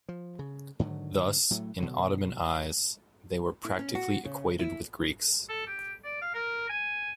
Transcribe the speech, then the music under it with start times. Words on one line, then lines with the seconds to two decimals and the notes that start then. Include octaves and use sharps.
Thus, in Ottoman eyes, they were practically equated with Greeks.
0.09 F3
0.39 C#3
0.79 G#2 D3 D#3 F#3
1.50 A2 F#3 A3
1.78 B2 D3 F#3
3.65 E4
3.79 C#4
3.95 F#4
4.24 C#3
4.59 E4
5.49 A4
5.67 G4
6.04 D5
6.22 F5
6.35 A#4
6.70 G#5